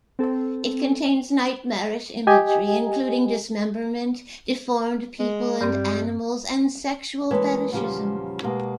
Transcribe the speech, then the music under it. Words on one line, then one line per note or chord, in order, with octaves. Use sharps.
It contains nightmarish imagery, including dismemberment, deformed people and animals, and sexual fetishism.
C4 A4
G4 D#5 G#5
G#3
G2 G3 C4
E3 G#3 A#3 B4 C#5 A5
E2 A#2 C#3 F3 G3 G#5
B2 G#3 A#3 G4